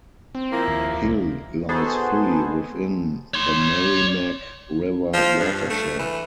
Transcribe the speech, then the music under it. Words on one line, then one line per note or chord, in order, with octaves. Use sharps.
Hill lies fully within the Merrimack River watershed.
C4
F3 A#3 E4
D#2
C2
B3 D#4 F#4 G#4 A4 C5
C#5 C6
F3
G2
A3
E3